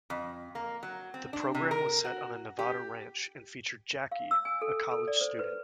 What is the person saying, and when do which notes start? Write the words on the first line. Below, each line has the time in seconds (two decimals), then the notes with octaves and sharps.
The program was set on a Nevada ranch, and featured Jackie, a college student.
0.10 F2
0.55 A#3
0.83 F#3
1.14 C4
1.33 D4
1.55 C3
1.71 A#4
2.05 F#4
2.59 G4
4.12 F5
4.31 E6
4.45 G#5
4.62 A4
4.91 A4
5.08 D5
5.21 C5
5.39 B4